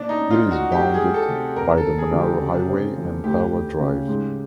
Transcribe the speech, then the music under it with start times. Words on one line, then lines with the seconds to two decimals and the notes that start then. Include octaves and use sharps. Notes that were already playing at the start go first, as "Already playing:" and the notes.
It is bounded by the Monaro Highway and Tharwa drive.
Already playing: A#2 D4
0.09 D#4
0.17 C#4
0.31 F4
0.45 F3
0.51 F#4
0.72 D2 G4
0.94 G#4
1.00 G#3
1.14 A4
1.28 C3
1.56 F2 A#4
1.78 A4
1.84 F2
1.98 G#4
2.12 D3
2.19 G4
2.39 C#3
2.68 C4
2.96 F3
3.24 D2 G4
3.51 D2
3.79 C#3
4.08 G#2